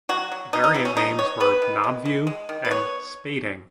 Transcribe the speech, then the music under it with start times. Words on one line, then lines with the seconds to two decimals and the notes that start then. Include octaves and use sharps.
Variant names were "Knobview" and "Spading".
0.09 F#3 F#4
0.32 F#3
0.53 B2 D#4
0.64 D#4
0.74 B2 E4
0.85 C#4
0.97 G#3 D#4
1.19 B3 C#5
1.40 B3 B4
1.62 D#3
1.84 G#3
2.05 G#3
2.27 G#3
2.49 D#3
2.65 B4
2.71 B3 C#5